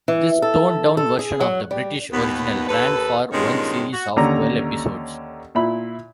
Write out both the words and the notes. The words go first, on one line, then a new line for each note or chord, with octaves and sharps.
This toned-down version of the British original ran for one series of twelve episodes.
E3
A4
A4
G#4
F#3
G3
D#2 B3
D#2 A4 B4
G2 A#2 D#3 G#3 B3 C#4
F#4
D#2 D3 C#4 A#5
A#2 E4 B5